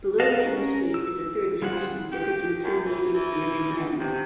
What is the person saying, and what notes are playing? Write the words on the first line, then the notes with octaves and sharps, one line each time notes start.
Below the king's feet is a third section, depicting two naked, bearded men.
D#5 F5 F#5 A5
C#4 A#4
E6
G3 F4 G#4 C5 F#5
G4
F#2
E3
E3
C3